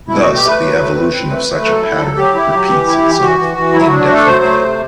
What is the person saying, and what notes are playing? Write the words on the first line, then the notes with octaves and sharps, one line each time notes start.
Thus the evolution of such a pattern repeats itself indefinitely.
B2 E4
A3 F#4
G4
A3 B4
F#3
A3
C4
C4
A3
A3
F#3 A4
E4
F#3
F#3 G4
E4
F#3
E3
E4
E3
E3 F#4
E3
E3
F#3 E4
F#4
D4
F#4
A3 A4
F#3 C5
A3
C3